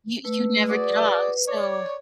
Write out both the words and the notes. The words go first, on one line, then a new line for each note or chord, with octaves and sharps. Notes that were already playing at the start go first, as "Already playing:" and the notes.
you you never get off. So
A3 B4 E6
F#4 G#4 B4 D5
C#5 D5